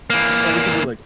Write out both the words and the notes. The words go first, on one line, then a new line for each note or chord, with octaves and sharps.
Well, we can do, like,
E3 A#3